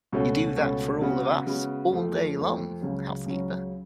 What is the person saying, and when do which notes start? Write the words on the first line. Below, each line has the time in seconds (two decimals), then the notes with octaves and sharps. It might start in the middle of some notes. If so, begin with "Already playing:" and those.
You do that for all of us, all day long, housekeeper!
0.13 C#2 B2 A3 C#4 F#4
0.57 C#2 B2 A3 C#4 F#4
1.01 C#3 G#3 B3 F#4
1.47 C#3 G#3 B3 F#4
1.92 F2 F3 A3
2.36 F2 F3 A3
2.81 C#2 C#3 F#3
3.26 C#2 C#3 F#3